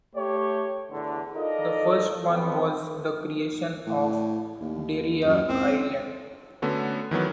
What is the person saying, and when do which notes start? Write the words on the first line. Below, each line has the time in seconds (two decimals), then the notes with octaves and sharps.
The first one was the creation of Deira Island.
0.15 A3 G4 C#5
0.91 E2 D3
1.35 D#4 F4 A4 A#4 D5 D#5
2.29 F2 B3
3.86 A2
4.61 D#2
5.25 F#2
5.48 C#2 C4
6.62 D3 A3 B3 C#4 F#4
7.11 D#3 E3 F#3 B3